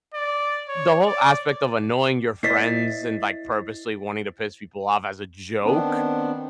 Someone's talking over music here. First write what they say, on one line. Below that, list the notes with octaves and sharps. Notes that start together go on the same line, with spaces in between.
the whole aspect of annoying your friends and, like, purposely wanting to piss people off as a joke
D5
C#5
D5
E4 C5 D#5 A6 B6 C7
D#3 B3 C4 D4